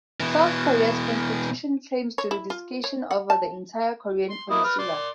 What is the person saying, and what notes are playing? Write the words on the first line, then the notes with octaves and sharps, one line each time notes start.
South Korea's constitution claims jurisdiction over the entire Korean peninsula.
B2 E3
C#5
E4
F4
C#5
F#5
A5
C6
A#3 E4 D#5
B4 F6
D5 C6